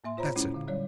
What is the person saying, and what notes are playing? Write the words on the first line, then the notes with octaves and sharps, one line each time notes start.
"That's it!"
A2 A#3 E5 C6
F4 C5 C#5 A#5 B5
A#2 G#3 C#4 E4
D3 F5
F#3 G3 C#5 D5